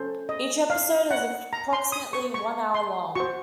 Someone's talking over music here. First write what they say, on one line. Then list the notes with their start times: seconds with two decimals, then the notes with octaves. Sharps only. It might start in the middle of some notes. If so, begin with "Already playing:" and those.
Each episode is approximately one hour long.
Already playing: C#4 A4 C5
0.29 D#5
0.70 F5
1.11 F#5
1.53 A#5
1.73 C6
1.92 D#6
2.13 C#6
2.34 C#6
2.74 C6
3.15 F#4 C5 C#6